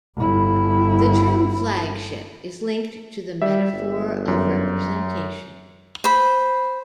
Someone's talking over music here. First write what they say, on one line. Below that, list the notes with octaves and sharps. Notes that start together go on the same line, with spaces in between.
The term flagship is linked to the metaphor of representation.
G1 E4
G3 E5
G1
F#2
C5 B5